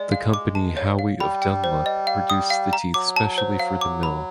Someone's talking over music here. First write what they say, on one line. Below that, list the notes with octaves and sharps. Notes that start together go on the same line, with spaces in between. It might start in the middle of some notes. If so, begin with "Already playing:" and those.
The company Howie of Dunlop produced the teeth specially for the mill.
Already playing: G#3 D5
F5
D6
A5
C#5
F5
G3 B5
G5
C5
D#5
F5
D#6
F5
A#5
F#3 D6
A5
C5
F5
D6
B5